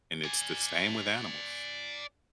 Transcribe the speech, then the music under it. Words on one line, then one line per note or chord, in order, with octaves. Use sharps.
and it's the same with animals,
D5 G#5